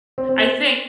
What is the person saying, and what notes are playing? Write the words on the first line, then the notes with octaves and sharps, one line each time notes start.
I think
C4
C4
C4